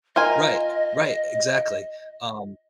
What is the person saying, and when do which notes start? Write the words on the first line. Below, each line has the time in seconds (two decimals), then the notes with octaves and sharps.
Right, right, exactly, um
0.16 F4 A#4 D#5 G#5